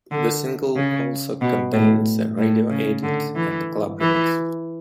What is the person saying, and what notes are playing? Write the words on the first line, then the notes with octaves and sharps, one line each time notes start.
The single also contains a radio edit and a club remix.
D3
C#3
B2
A2
A2
C#3
D3
E3
E3